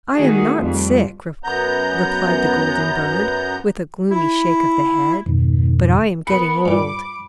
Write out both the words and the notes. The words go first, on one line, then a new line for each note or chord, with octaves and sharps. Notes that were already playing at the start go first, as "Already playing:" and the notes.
'I am not sick,' replied the golden bird, with a gloomy shake of the head; 'but I am getting old.'
D#3 A3 F#4 G#4
F2 G3
F#2 B3 A#5 G6
E4
F2 G#2 B2 D#3
B3 A#4 B5 C#7
G2 A#2 D6